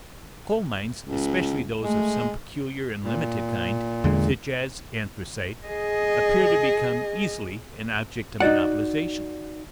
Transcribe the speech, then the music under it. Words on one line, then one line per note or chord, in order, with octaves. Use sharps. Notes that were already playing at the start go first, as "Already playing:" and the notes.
Coal-mines, especially those of some peculiar and limited kind, such as anthracite, appear to become easily an object of monopolization.
C#2
G#3 A3
A#2
E2 D3 G#3
G#4 D#5
D#4 F#4 D5 F#5